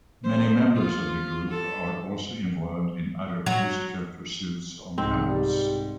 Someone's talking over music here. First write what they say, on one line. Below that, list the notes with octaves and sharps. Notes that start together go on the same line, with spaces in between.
Many members of the group are also involved in other musical pursuits on campus.
C5
F4
A4
F#3
C2 G#2 C4
G3